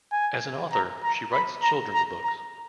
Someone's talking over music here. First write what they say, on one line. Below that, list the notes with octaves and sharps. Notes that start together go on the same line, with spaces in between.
As an author, she writes children's books.
G#5
A#5
A#5
B5
A#5
A#5
A#5